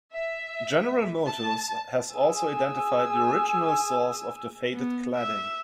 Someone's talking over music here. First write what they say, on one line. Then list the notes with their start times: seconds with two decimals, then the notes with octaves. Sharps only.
General Motors has also identified the original source of the faded cladding.
0.12 E5
1.26 A5
2.14 G#4 G#5 E6
4.75 B3
5.16 E5